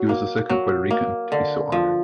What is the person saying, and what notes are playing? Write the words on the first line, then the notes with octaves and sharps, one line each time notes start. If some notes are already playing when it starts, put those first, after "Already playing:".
He was the second Puerto Rican to be so honored.
Already playing: F#3
A#3
F#3
A#3
D3
F3